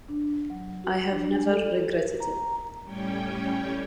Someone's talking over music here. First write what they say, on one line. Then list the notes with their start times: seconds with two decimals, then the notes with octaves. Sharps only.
I have never regretted it.
0.09 D4
0.50 F#3
0.84 F#4
1.11 D4
1.34 G#3
1.51 A4
1.83 G4
1.97 A#4
2.20 A#5
2.84 A2 G3 C#4 C#5 G5